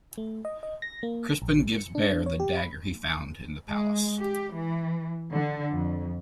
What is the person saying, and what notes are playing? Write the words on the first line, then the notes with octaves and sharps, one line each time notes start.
Crispin gives Bear the dagger he found in the palace.
A3
D#5
D#5
A#6
A#3
A#1
C#7
D4
C#5
G4
B5
G#3
G4
E3
D3
F2